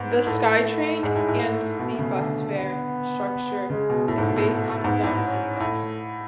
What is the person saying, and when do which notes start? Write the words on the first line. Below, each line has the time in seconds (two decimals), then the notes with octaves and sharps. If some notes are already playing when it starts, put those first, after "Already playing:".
The SkyTrain and SeaBus fare structure is based on a zone system.
Already playing: G#2 B3
0.26 A2 A3
1.03 G#2 G#3
1.15 A2
1.28 A2
1.41 A3
1.79 B2 A3
1.95 B2
1.99 C#3
2.17 D3
2.55 B3
3.70 C#3 G#3
3.90 B2
4.08 A2 A3
4.18 G#2
4.28 B2
4.36 A2
4.84 G#2 B3
5.03 A2
5.23 C#4
5.60 A2 A3